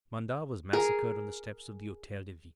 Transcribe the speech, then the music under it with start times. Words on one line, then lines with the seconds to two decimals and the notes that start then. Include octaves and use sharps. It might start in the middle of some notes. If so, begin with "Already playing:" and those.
Mandat was massacred on the steps of the Hotel-de-Ville.
0.73 G#4 A#4